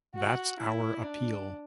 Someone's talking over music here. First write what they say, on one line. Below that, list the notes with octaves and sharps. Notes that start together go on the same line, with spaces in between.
That's our appeal.
F#4
E4
D4